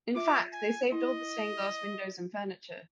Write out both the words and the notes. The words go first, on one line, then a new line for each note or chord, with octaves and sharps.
In fact they saved all the stained glass windows and furniture.
F4 E5 D6
G#5
E4 D#5